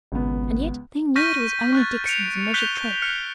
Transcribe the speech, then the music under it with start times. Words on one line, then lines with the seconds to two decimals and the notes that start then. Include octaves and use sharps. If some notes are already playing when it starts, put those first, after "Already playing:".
And yet they knew it was only Dixon's measured tread.
0.12 G#1 C#2 B3
1.16 C#6 F6 G6 A#6 B6 D#7
1.73 C#6 F#6 A6
2.06 C#7 D7 F7
2.54 F#6 G6 B6 C#7 F7 G7
3.02 F6 F#6 C#7